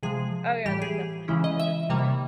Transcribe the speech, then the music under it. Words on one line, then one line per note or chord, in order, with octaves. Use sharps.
Oh yeah, they're definitely not as good anymore.
C3 F3 G#3 G#4
A2 E3 G3 G4
G#4
C#3 E3 G#3 C#4 E4
D#5
E5
C3 D#3 G3 A#3